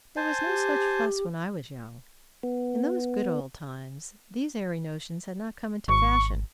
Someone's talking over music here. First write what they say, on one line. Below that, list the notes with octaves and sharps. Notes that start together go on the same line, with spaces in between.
There was no such fuss when I was young; in those good old times these airy notions had not come into fashion.
C5 G#5 A5
G4
B3
G#1 C#6